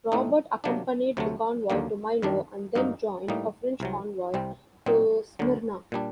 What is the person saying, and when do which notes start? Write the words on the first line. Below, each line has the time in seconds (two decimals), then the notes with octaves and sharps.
"Robert" accompanied the convoy to Milo and then joined a French convoy to Smyrna.
0.12 A2 A3 C4 D#4
0.64 C3 F#3 A#3 D4
1.17 D2 C3 F#3 A3
1.70 D#2 D3 F#3 A#3
2.22 F#2 D#3 G3 D4
2.75 G2 F#3 A#3 D#4
3.28 A2 G3 A#3 D#4
3.80 C2 C3 F#3
4.34 C2 C3 G3 C4
4.86 A#2 F#3 C4 D#4
5.39 D2 D3 F#3
5.92 A#2 G3 D4